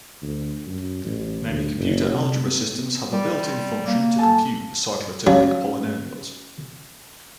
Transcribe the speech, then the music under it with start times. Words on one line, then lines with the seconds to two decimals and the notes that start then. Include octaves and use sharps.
Many computer algebra systems have a built in function to compute the cyclotomic polynomials.
0.22 D2
0.67 F#2
1.04 A1
1.46 D2
1.77 F#1
2.13 C3
2.45 B3
3.12 G3
3.43 C6
3.88 A#3
4.19 A4 G#5 A5
5.27 F#3 C#4 D#4 F5